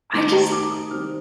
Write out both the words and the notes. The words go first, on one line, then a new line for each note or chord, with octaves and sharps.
I just
D#3 A3 C4 D6
A#5
D6
D#6
D#3 G3 C4 F6